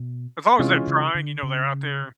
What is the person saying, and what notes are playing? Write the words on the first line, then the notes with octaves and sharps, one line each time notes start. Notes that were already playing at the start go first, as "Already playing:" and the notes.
As long as they're trying, you know, they're out there
Already playing: B2
C3 E3 G#3 C#4 F4
C#3
D3
C#3